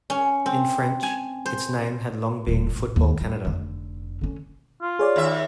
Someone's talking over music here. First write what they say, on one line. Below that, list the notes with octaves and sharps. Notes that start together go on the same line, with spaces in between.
In French, its name had long been Football Canada.
C#4
C4
G#5
C5
D#1 F4
A1
D#2
G3
F1 D3
D3 C#4
F4
G#4 C#5 D5
D#2 E5